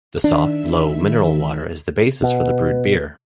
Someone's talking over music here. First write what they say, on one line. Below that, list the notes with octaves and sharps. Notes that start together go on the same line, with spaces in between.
The soft, low mineral water is the basis for the brewed beer.
D#3 D4 E5
B2 B4